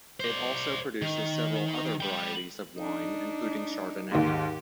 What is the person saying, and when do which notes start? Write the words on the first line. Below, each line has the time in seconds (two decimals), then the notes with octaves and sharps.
It also produces several other varieties of wine, including Chardonnay.
0.20 C5 D5
1.02 D#3
2.01 G5 B5
2.78 D4 D#4
4.12 D#2 G#2 G4